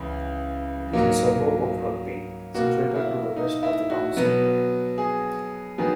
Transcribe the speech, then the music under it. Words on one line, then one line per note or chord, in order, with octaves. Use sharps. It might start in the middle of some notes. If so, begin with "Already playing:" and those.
It is a suburb of Rugby, situated to the west of the town centre.
Already playing: C#2 C#3 E3
G#2 F#3 A#3
B2 A#3 F#4
E4
D#4
E4
F#4
B2 F#3 B3
G#4
D#3 F#3 B3 G#4